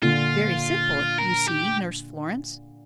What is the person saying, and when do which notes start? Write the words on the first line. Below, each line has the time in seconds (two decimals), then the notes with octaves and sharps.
Very simple, you see, Nurse Florence!
0.02 A#2 D3 F4
1.19 A#4
1.48 G4